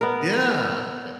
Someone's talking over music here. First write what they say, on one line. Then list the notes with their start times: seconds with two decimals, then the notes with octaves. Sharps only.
Yeah, a
0.01 B3 A#4